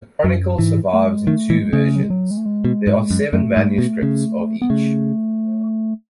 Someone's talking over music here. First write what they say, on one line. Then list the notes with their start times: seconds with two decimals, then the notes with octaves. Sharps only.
The chronicle survives in two versions; there are seven manuscripts of each.
0.24 F#2 F#3
0.58 G#2 E3
0.93 A3
1.05 G#3
1.27 D#3 A3
1.49 E3 G#3
1.73 C#3 A3
1.96 F#3
2.03 G#3
2.10 F#3
2.31 G#3
2.37 A3
2.46 G#3
2.65 B2
2.87 G#2
3.10 F#2
3.33 F#2 A3
3.57 G#2
3.78 B2
4.02 C#3
4.62 B3
4.70 C#3 A3